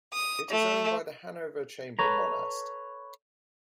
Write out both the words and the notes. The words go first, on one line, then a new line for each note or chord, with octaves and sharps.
It is owned by the Hanover Chamber monaste.
D#6
A3
A4 B4 C#5 A#5